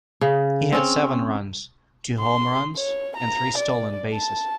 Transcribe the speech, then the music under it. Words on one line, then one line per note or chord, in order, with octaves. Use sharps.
He had seven runs, two home runs, and three stolen bases.
C#3
C4 C#4
C6
C#5
A#5
D5
A5